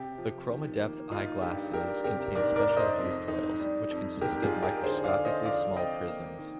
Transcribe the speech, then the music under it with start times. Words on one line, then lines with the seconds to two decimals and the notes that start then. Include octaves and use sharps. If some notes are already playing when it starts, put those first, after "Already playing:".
The ChromaDepth eyeglasses contain special view foils, which consist of microscopically small prisms.
Already playing: C3 G4
0.18 F3
0.50 D#3
0.81 A#3
1.11 D#4 F4
1.42 G2 G4
1.73 D4 G4 A#4
2.04 C3 G4 A#4
2.35 G#2 A#4 D5
2.56 A#4 D5
2.66 G#2
2.77 C5 D#5
2.98 F2
3.28 D#4
3.59 G3
3.90 F2
4.21 G#2 G4 A#4
4.42 F4 G#4
4.52 D#4
4.63 G4 A#4
4.83 D3 G#4 C5
5.04 D5 F5
5.15 D3
5.25 C5 D#5
5.46 F3 D5 F5
5.76 C4 D#5 G5
6.08 A#3
6.39 D#3